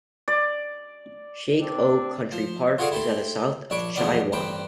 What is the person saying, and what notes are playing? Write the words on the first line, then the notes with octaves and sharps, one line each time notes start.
Shek O Country Park is at the south of Chai Wan.
D5
C3 C4 D4
F3
F4 F#4 G#4 A4 D5 F5
E4 G4 A4 C6
A#1 D4 C#5 B5 D6
B1 E2 F3 B3 C#4 D5
A1 G2 C4 B4 G5